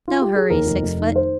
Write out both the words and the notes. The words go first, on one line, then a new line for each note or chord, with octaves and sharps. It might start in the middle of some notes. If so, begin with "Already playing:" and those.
No hurry, six-foot.
F4
G4
G#4
D#2 A#4
F1
F1
D#3
C5